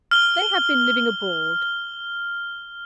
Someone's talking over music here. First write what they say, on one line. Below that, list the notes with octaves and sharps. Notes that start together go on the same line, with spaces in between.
'They have been living abroad.
F6 G7